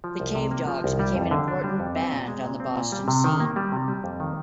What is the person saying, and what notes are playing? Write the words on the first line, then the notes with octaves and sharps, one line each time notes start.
The Cavedogs became an important band on the Boston scene.
F3
C2
C3
A#3
F3
C2
G3
F2
D3
D4
G3
F2
C4
A#2
G#3
A#2
C4
A#2
G3
C3
D#3
A#3
G3
C3
G3
F2
D#3